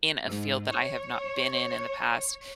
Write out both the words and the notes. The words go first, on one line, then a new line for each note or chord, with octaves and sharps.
in a field that I have not been in in the past
G#2
C#5